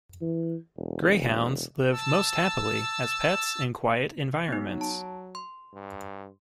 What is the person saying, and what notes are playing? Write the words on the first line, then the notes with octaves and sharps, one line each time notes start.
Greyhounds live most happily as pets in quiet environments.
E3
E1
A5 E6
F#3 B3 D#4
A5
C6
G2